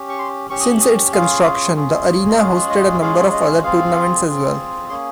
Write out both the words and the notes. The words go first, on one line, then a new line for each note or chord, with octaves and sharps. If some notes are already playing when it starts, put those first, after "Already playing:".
Since its construction, the arena hosted a number of other tournaments as well.
Already playing: C#4 G4
C#6
C6
C#4 G4 C#6
D#6
C#6
D#6
C#4 F4 G#4 F5
C#4 F4 G#4
D#5
G#3 C#4 F4 G#4 F5
D#5
G#3 C#4 F4 G#4 F5
D#5
C4 F4 G#4 F5
C4 F4 G#4
A#3 C#4 G#4 C6